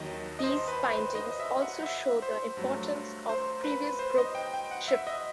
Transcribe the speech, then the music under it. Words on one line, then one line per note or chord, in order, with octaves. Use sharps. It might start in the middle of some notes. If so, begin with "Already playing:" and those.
These findings also show the importance of previous group shifts.
Already playing: D#2 D#3 F#3 D#5
D#5
C5
B4
C5
D#5
D#5
E5
F#5
E5
C5
G2 F#3 A3
C5
B4
C5
D#5
G5
G5
F#5
E5
D#5